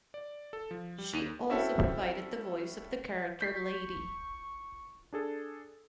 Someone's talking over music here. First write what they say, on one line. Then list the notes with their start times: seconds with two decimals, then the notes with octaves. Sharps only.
She also provided the voice of the character Lady.
0.14 D5
0.53 A4
0.71 F3
0.98 G3
1.13 D#2
1.49 C4 C#4 E4 F#4 A4
3.41 C#6 G6 B6 C7
5.13 D4 G#4 A4